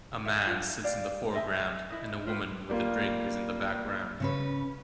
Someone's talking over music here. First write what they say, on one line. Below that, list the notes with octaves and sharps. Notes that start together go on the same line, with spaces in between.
A man sits in the foreground, and a woman with a drink is in the background.
E5
D4 F4
G4 D5 F5
G4 D#5 E5 G#5
E4 D#5
F4 B4 C5
G3 A#3 F4
C#3 C#4 B4